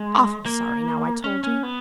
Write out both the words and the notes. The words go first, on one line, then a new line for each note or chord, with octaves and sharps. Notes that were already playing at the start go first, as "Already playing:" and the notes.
Awful sorry now I told you.
Already playing: G#3
A#3
C#4
C#4
B3